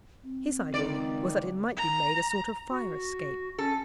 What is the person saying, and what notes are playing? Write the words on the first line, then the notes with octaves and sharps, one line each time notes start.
His idea was that it might be made a sort of fire-escape.
C4
C#2 D#3 D5
A#5
F#4
C#4 A4